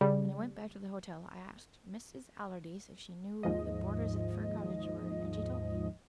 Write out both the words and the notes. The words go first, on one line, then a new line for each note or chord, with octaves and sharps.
When I went back to the hotel I asked Mrs. Allardyce if she knew who the boarders at Fir Cottage were and she told me.
C#3 G3
D#2 G#2 F3 D#5